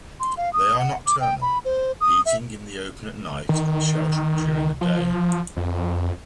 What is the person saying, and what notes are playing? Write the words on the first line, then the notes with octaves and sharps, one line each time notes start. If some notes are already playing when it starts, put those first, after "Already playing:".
They are nocturnal, eating in the open at night and sheltering during the day.
C6
F5
D#6
F#5
D6
G5
B5
C5
D#6
E5
D#3
F3
F2